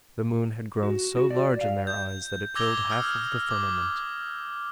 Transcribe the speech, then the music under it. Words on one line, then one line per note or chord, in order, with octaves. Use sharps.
The moon had grown so large in their eyes that it filled half of the firmament.
F#4
F#4
D5
F5
G6
D6 E6 G#6 A#6 F7 G7
D#6 F6 G#6
D6